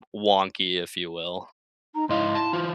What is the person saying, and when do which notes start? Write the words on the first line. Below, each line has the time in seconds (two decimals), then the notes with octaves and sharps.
wonky, if you will?
1.95 D#4 A#5
2.09 G#2 E4 D#5 F5 C6
2.35 A5
2.53 E3 F4